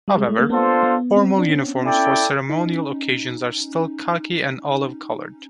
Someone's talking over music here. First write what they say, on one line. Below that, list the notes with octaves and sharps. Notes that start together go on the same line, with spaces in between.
However, formal uniforms for ceremonial occasions are still khaki and olive-colored.
G3
G#3
A3
A#3
B3 D4 F4 A4 C5 F5
B3
C4
D4
C#4
E4 A4 D5 G5
D#4